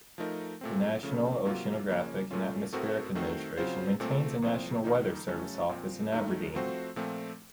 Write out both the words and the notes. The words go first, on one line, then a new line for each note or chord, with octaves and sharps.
The National Oceanographic and Atmospheric Administration maintains a National Weather Service office in Aberdeen.
F3 A3 D#4 A#4
A#2 A3 C4
C#3 F3 A3 C#4
C3 F#3 A#3 F4
C#3 F3 A#3 C#4
A#2 A3 C#4 F4
A2 A3 C4 F#4 A#4
D#3 A3 C4 F#4 C5
C#3 F#3 C4 F4 C5
A#2 A3 C4
A2 F3 C4
F2 D#3 A#3 D#4
C#3 F#3 A3 C#4 A4
A#2 F3 C4
F#2 D#3 A3 D#4
F3 A3 C4 F#4 C5
A#2 F3 A3 C4